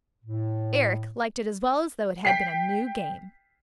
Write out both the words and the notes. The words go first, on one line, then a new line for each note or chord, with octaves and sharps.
Eric liked it as well as though it had been a new game.
A2
G5 B6 C7